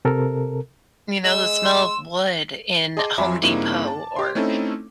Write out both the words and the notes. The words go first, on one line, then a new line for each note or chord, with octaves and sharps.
You know, the smell of wood in Home Depot or
C3 A4 A#4
G#3 E6
C6
G#4 D#5 A5 C6 D6
F2 F#3 E5 G#5 B5 C6
G2 C#3 A#3 C4 D#4 E4
A5
G4 C6
A3 C4 C#4 D#4 E4 A4